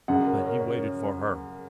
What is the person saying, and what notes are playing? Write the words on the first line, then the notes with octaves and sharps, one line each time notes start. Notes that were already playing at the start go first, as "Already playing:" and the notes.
But he waited for her.
F#2 C#3 F#5
A#4
C#5
A#4
C#5
A#4
C#5